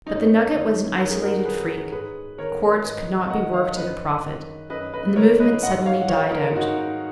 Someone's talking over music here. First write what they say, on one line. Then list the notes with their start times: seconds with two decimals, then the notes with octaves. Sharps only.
But the nugget was an isolated freak; the quartz could not be worked at a profit; and the movement suddenly died out.
0.06 F#2 D#4
0.16 C#4
0.27 D#4
0.52 D#3 D#4
0.99 F#2 A#4
1.10 G#4
1.22 F#4 A#4
1.45 D#3 G#4 B4
1.91 G#2 G#4 B4
2.37 D#3 A#4 C#5
2.84 G#2 B4 D#5
3.30 D#3 D#5 F#5
3.53 C#5 F5
3.77 F#2 B4 D#5
4.24 D#3
4.70 F#2 B4 D#5
4.94 B4 D#5
5.16 D#3 A#4 C#5
5.40 B4 D#5
5.62 G#2 D#5 F#5
5.86 C#5 F5
6.01 F#5
6.09 D#3 C#5 F5
6.32 A#4 C#5
6.55 G#2 D#4 F#4
6.78 D#4